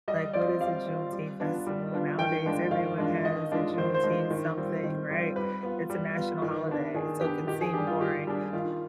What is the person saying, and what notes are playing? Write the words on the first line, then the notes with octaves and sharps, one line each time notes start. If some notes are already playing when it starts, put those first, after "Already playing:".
Like, what is a Juneteenth festival, nowadays? Everyone has a Juneteenth something, right? It's a national holiday, so it can seem boring,
G3 D#5
C4 F4 D5
G3 F5
C4 F4
G3
B3 D4 F4
G3
B3 D4 F4
D#3 G5
G#3 D4 F4
D#3 F5
G#3 D4 F4
D#3 D#5
G#3 D4 F4
D#3 C5
C5
G#3 D4 F4
D#3
G3 C4 F4
D#3
G3 C4 F4
G3 B4
B3 F4
G3
B3 F4
D#3
B3 D4
D#3 G#4
B3 D4 G4
D#3 G4
G#4
G3 D4 G4
F4
D#3 G4
G3 D4 G#4
D#3 F4